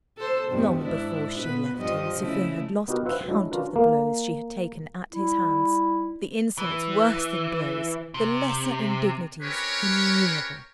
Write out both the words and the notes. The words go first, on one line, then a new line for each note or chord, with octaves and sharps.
Long before she left him Sofia had lost count of the blows she had taken at his hands, the insults worse than blows, the lesser indignities innumerable.
A4 C5
E2 G2 B2
G#2 D4 E4
A#2 B3 B4
G2 F3 D#5
C#3 A3 E4
B3 D#4 F#4 G4 A#4
F4 B4 C5 E5 F#5 G5
F#3 G#3 D4 E4
C#4 D4 F4 F#4 A#4 B4
A#3
G3 D#4 E4
E3
C3
C4 C#4 G4 A#4 B4 C#5